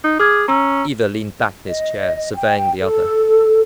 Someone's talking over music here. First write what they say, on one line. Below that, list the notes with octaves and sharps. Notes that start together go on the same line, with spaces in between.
Either leaned back in his chair, surveying the other.
D#4
G#4 D6 F6 G#6
C#4 A#5 E6
D#5
G5
A4